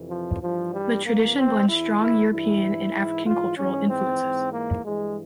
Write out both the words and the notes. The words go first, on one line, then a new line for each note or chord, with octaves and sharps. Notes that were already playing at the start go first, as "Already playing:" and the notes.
The tradition blends strong European and African cultural influences.
Already playing: F2 C3 E3
F3
G2 E3 F3
G3
E2 C3 E3 A#3
C4
E2 E3 E4
E4
G2 E3 E4
G#2 E3
F4
G#2 E3 C#4
C4
G#2 E3
A#3
G2 E3 G#3